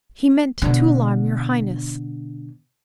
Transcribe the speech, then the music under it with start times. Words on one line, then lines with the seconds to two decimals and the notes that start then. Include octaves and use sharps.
"He meant to alarm your highness."
0.62 B2 D3